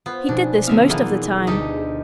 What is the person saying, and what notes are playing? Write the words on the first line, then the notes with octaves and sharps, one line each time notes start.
He did this most of the time.
B3 F4 C5
B2 F3 D4 D#4 G#4
D3 B3 D#4 F4 E5 F5
E3 A#3 B3 G#4
D2 D#4 G4 A4 D#5